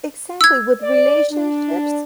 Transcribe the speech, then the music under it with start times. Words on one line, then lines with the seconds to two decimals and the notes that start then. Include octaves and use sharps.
Exactly with relationships.
0.41 E6 G#6
0.82 D5
1.31 D4